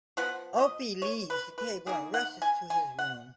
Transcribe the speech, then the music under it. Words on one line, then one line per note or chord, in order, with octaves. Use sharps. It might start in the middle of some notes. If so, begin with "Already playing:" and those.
Opie leaves the table and rushes to his room.
F3 B3 F#5
D#5
C#5
B4
B4
D#3 A#3 D#4 G#4
F#5
G#5
G#5
F#5